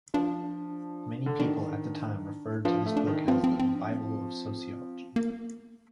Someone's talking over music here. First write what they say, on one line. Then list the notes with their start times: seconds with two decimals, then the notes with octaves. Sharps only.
Many people at the time referred to this book as the "Bible of Sociology".
0.14 F3 D4
1.26 D3
1.39 D#3 D4
2.65 F3 D4
2.86 A3
2.97 D4
3.07 D#3
3.28 F3 C4
3.44 C4
3.59 C4
3.75 D4
3.91 C4
5.16 A#3